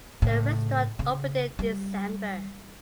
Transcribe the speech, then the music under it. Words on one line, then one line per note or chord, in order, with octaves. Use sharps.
The restaurant opened in December.
A2 C#3
C#3
G3